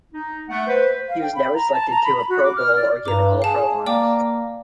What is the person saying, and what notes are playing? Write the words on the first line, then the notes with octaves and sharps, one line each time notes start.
He was never selected to a Pro-Bowl or given All-Pro honours.
D#4
A3 F#5
B4 C5
F5
G5
B5
A#5
A5
A#5
B5
B5
F#4
D6
F6
D5
G2 A#5 D6
G#4 F5 A5
A#3 D5 G5 D6